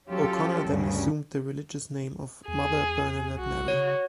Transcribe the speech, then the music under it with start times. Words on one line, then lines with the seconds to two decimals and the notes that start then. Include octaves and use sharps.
O'Connor then assumed the religious name of "Mother Bernadette Mary".
0.10 F#3 C#4 F4 G4 A4
0.68 D2 G2 C#3 G3
2.48 E2 G#4
3.39 B1 F#4
3.68 C#3 C#5